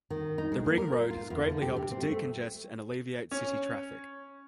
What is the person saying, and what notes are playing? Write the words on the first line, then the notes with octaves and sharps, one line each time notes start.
The Ring Road has greatly helped to decongest and alleviate city traffic.
D#3
D#4
G#3
A#3
A#4
F4
E2
D3
G4
C3
C4
A3
C#4